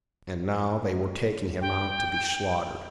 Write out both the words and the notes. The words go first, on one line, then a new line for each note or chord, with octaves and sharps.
And now they were taking him out to be slaughtered.
G5